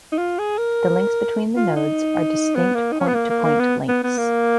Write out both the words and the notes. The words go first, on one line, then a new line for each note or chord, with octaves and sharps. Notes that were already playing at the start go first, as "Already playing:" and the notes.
The links between the nodes are distinct point-to-point links.
D#4
F4
G#4
A#4
F4
D#4
B3
A#3
D#4
C#4
B3
A#3
A#3
A#3
B3
B3
B3
A#3